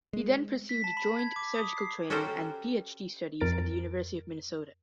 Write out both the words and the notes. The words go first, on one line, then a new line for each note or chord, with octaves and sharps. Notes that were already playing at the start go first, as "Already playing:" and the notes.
He then pursued joint surgical training and Ph.D. studies at the University of Minnesota.
G#3
B6
A5
B5
G#6
D6
D#6
C7
C#4 F#4 G4 A4 A#4 C5
F2 A#4 A6 D7